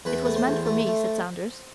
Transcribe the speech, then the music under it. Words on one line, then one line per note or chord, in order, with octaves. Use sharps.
"It was meant for me," said Saunders.
E2 B4
A3
C5
E2
A3
A3